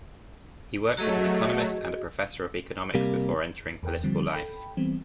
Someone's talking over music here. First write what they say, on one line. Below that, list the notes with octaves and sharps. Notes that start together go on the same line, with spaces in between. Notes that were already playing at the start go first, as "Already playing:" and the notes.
He worked as an economist and a professor of economics before entering political life.
F#3 A3 F#4 G#4 D#5
C3 G3 A#3
E2 A#4 G5
D3 F3 G3 C4
A4 G5 B5
E3 G3 B3 C4